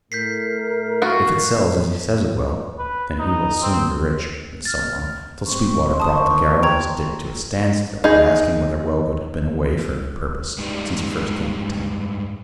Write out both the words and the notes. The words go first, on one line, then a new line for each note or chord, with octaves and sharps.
If it sells as he says it will--then he will soon be rich: and so on, till Sweetwater brought the garrulous Dick to a standstill by asking whether Wellgood had been away for any purpose since he first came to town.
A2 A3 A#4 G6 B6 C7
F4 F#4
B4
D#4
C4
F6 A6
C4 C5 C6 C#6
D3 D#3 C4 A5 D#6
D#2 G5 A#5 G#6
D#4 G#4
G2 G#3 D#4 G4 B4 D5